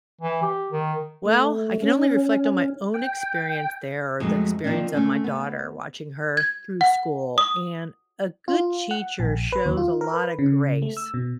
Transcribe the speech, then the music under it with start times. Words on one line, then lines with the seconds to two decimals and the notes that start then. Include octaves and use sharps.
Well, I can only reflect on my own experience there or the experience of my daughter watching her through school, and a good teacher shows a lot of grace
0.21 E3
0.43 G4
0.70 D#3
1.25 A3
1.82 C#4
2.94 G5
4.20 F2 F#3 G#3 A3
4.64 D#3 F3 A#3 C4 D4
4.93 A3 C4 C#4
5.24 B3
6.37 G#6
6.81 F#5
7.38 D#6
8.48 F4
8.91 F#5
9.20 A#1
9.52 B4
9.66 D#2
9.77 F4
10.01 A#4
10.14 B4
10.39 C#3
10.82 A3
10.97 E6
11.14 B2